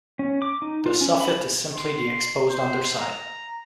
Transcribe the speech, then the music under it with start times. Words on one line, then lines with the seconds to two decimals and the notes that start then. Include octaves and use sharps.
The soffit is simply the exposed underside.
0.19 C#4
0.42 D6
0.62 D#4
0.86 F4
1.01 C#4
1.21 B5
1.74 C6
2.50 C5
3.00 A#5